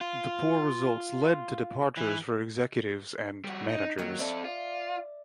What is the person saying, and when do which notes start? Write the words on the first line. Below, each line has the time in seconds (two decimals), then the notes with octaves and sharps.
The poor results led to departures for executives and managers.
0.01 F4
1.97 E3
3.44 G3 F#4
3.69 D#4
3.98 D#3 F#3 A#3 G4
4.19 C4 A4 D5 E5
4.45 F4